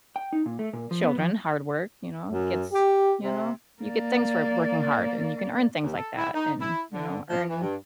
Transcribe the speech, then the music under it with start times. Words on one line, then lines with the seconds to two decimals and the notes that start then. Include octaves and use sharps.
children hard work, you know? It gets you know? You get things for working hard, and you can earn things like that and, you know, earn
0.16 G5
0.33 D#4
0.46 A#2
0.59 A3
0.73 A#2
0.91 F3
1.03 B3
1.18 F3
2.31 F#2
2.72 G4
3.22 C3
3.82 A#3 D5
5.83 D#2
5.96 A4
6.17 E4
6.34 D#4
6.60 E4
6.92 D3
7.28 F3
7.48 E3
7.61 G2